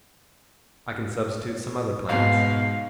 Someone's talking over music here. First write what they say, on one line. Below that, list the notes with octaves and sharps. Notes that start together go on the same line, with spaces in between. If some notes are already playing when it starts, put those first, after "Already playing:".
I can substitute some other plans.
G#2 B2 F5